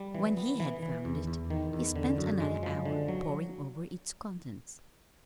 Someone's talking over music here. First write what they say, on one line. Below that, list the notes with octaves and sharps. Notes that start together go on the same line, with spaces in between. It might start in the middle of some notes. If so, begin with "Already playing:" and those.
When he had found it he spent another hour poring over its contents.
Already playing: G3
E3
B3
E3
E3
E2
E2
D#3
E2
D3
F#2
G#3
F3
D3
F#3